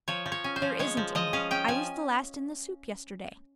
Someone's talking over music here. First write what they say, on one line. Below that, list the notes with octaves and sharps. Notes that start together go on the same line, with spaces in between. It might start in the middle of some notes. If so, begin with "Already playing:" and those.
"There isn't any; I used the last in the soup yesterday."
F3 C#5
F3
C#5
C#4
C5
F3
G#3 C#5
F3
F3 D#5
C#4 F5
C#4 G5
F3 G#5